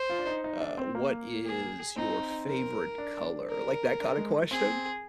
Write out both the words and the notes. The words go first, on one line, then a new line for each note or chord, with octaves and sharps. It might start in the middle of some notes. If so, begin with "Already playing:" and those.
uh, "What is your favorite color?" like, that kinda question,
Already playing: C5
F4
D4
D#4
D#4
D4
C4
A#3
G#4
C4 D#4
A#4
D4
A#4
D4
G#3
C4 G#4